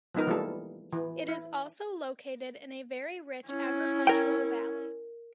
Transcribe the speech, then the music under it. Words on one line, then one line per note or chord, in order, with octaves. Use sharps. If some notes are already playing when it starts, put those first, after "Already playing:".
It is also located in a very rich agricultural valley.
F3 G#3 B3 D#4 A#4
E3 G3 G#3 A#3 F4 A4
E3
E4
C#4 E4
A#4 G5